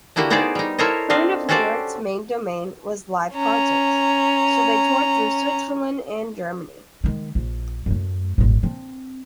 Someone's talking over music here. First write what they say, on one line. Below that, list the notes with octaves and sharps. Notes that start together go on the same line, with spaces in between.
Primitive Lyrics' main domain was live concerts, so they toured through Switzerland and Germany.
D3 A#3 E4 F#4 G4
B3 D#4 E4 G#4 C5 D5
G3 D#4
E4 A4 A#4 C5 C#5 D#5
C4 D4 D#5 F5
C#4 F#4 G4 A4 C5 D5
C#4 A#5
D#3 G#3
A#1
F#2 A3
D#1 G#1
C4 D4